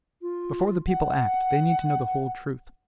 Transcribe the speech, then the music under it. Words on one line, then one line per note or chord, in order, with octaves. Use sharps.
Before the people act, they need to know the whole truth.
F4
F#5